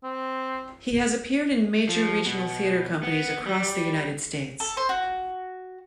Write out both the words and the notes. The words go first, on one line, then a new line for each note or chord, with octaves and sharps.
He has appeared in major regional theater companies across the United States.
C4
F3
B2
B3
G3
A4
C5
F#4